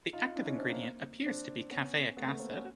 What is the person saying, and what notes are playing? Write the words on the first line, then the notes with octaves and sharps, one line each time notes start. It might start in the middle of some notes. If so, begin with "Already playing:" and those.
The active ingredient appears to be caffeic acid.
D#4 F4
D4 E4
C#4 D#4
C4 D4
A#3 C4
C4 D4
B3 C#4
A3 B3
A3 B3
A#3 C4
B3 C#4